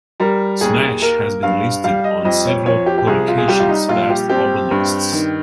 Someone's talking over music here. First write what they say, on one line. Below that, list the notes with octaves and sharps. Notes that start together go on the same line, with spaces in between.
"Smash" has been listed on several publications' best album lists.
G3 A#4
D#2 G#4
A#3 A#4
G2 F5
G3 F5
D#5
F2 D#5
C#5
F3 C#5
G4
G4
C2 G#4
F4
G#4
G3 G4
F4
D#4
A#1 F4
G4
C4 G4
G2
D#3